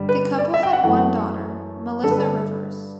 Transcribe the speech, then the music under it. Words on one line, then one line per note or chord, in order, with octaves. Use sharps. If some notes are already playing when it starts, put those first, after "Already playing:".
The couple had one daughter, Melissa Rivers.
Already playing: G2 D3 G3
B4
D5
E5
G5
F#5
F#2 E3 A3 F#5
G2 D3 G3 A4
B4
A4